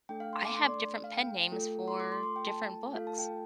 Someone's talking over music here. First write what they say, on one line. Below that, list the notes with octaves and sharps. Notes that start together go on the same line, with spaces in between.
I have different pen names for different books.
A3 D4 A4 G5
F5
C6
D6
C6
D5
F5
G5
A3 F4 A4
C6
D6
C6
C6
G5
A5
A3 F4 A4 F5
A5
G5